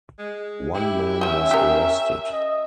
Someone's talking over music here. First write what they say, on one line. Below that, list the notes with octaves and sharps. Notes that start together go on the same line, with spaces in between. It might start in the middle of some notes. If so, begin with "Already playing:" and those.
One man was arrested.
G#3
E4 G4
G3 C#4 G4 E5
G4 A#4
D#5